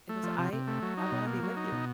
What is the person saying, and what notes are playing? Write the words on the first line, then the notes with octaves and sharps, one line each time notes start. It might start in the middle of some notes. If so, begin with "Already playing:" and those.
he goes, "I I wanna be with you."
A3
F3
C3
C3
A3
F#3
D#4
B2
A#3
F#3
D#4
B2